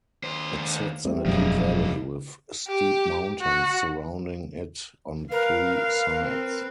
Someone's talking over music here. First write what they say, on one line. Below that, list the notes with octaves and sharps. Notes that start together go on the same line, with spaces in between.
It sits in a deep valley, with steep mountains surrounding it on three sides.
D#2 C5
G3 A3 C4
E1 F#2 F3 G#3 D#4
G4
F#4
A#4 B4 F5
F5
C4